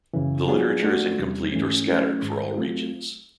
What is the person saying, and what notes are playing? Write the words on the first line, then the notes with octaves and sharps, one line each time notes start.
The literature is incomplete or scattered for all regions.
F#2 C#3 E3
F#3 B3 D4 F4 G#4
A3 D4 F#4
E2 C3 E3 G3
G#2 E3 A3 C#4
F#3 A3 C#4 E4
G#2 D#3 G#3
F#3 A3 C4 F4